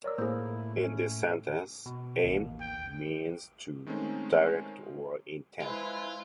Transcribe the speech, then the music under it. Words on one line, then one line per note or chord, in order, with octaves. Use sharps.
In this sentence, "aim" means to direct or intend.
A#4 C#5 D5 E6
A2 A#3 E4 G#4 C5
C#4
B2
A1 D#2
G5
D#3 G#3 A3 C4 C#4 D#4
G#3 E4 F4 B4 C5